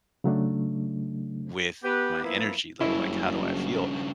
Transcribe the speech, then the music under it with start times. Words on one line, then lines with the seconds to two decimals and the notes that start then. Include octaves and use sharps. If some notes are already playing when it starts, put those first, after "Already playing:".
with my energy level. Like, how do I feel?
0.24 C#3 F#3 A3 D4
1.84 B3 G4 B4
2.24 F3 A#3 B3 E4
2.81 F#1 G2 C#3 E4